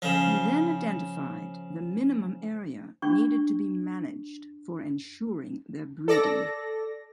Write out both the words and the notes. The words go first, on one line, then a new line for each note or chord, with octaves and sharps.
He then identified the minimum area needed to be managed for ensuring their breeding.
C#3 F3
D4 G5 C#6
A4 D5 A#6